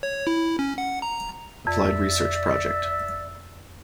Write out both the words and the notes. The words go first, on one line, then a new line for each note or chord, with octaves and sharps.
Applied Research Project.
C#5
E4
C#4
F#5
A#5
F2 D5 E5